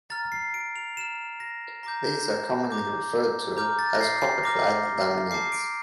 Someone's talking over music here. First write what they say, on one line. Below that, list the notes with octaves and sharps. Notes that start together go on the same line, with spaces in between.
These are commonly referred to as copperclad laminates.
A#5 F6 A6
C7
D7
F7
A#5 F6 E7
A#6
A#5 D6 G6 A#6
A#5 D6 G6
A#5 D6 F6 G6
A6
A#6
C7
C7
A#5 D6 F6 A#6
A5 D6 F6 C7
D7